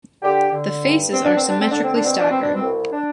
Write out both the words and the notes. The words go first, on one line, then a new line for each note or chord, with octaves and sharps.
The faces are symmetrically staggered.
D3 G4
D3
G2
G2 C4
D4
C4
D3
D4
C4
D3 D4
C4
D4
B2 C4
D4
B2 C4
D4
C4
C2
D4